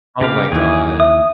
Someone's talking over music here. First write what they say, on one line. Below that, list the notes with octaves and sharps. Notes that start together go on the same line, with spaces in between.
Oh my god.
C#3 G4 F5
D#2 E3 G#4
E5 D#6